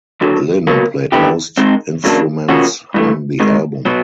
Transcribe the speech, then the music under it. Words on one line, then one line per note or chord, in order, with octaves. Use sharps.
Lynne played most instruments on the album.
D#2 D3 F#3
B2 F#3 A#3
D3 G3 B3 E4 G4
G#2 D#3 G#3 C4 D#4
E2 C#3 F#3 A#3 D4
C#3 F3 A#3 C#4 F#4
G2 E3 A3
G#2 D#3 G#3
B2 F#3